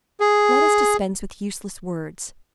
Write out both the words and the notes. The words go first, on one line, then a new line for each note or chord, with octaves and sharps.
Let us dispense with useless words.
G#4